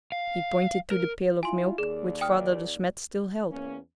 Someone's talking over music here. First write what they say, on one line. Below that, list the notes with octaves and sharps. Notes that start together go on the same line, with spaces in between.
He pointed to the pail of milk which Father De Smet still held.
F5
A#4
E4 F4 G#5 C6
D#2 G#4 D5
G5 D#6 F6
E2 A#3 C#4